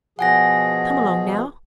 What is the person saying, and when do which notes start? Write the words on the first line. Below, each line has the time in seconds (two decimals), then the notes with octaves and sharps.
Come along, now.
0.19 B2 F3 G#4 F#5 G#5 A#6